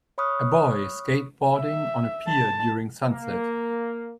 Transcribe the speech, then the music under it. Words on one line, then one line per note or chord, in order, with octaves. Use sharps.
A boy skateboarding on a pier during sunset.
C#5 B5 C#6 D#6 F6 F#6
E5
A5
A#3